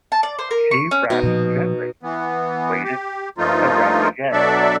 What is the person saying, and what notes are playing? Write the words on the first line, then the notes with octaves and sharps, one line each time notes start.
She rapped gently, waited, then rapped again.
A5
D5
C5
A#4
C#6
C#4
B2 D#4
A#2 F3
E3 B3
G4
G2 F3 A3 A#3 D#4 F4
B2 F#3 D4 A4 D5 E5